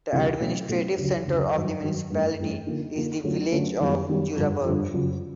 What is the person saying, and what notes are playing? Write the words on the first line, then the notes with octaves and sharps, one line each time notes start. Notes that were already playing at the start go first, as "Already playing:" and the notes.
The administrative centre of the municipality is the village of Judaberg.
D2 C3 E3 G3
B2 F#3 A3 C#4
B2 F#3 A3 C#4
D2 C#3 F#3
D2 C#3 F#3
G2 D#3 F#3
G2 D#3 F#3
G2 E3 A3
G2 E3 A3
D3 F3 A#3 D#4
D3 F3 A#3 D#4
D3 F#3 A3 C#4 F4
D3 F#3 A3 C#4 F4
F#2 D#3 G3 B3
F#2 D#3 G3 B3
G2 D3 F3
G2 D3 F3
F#2 C#3 F3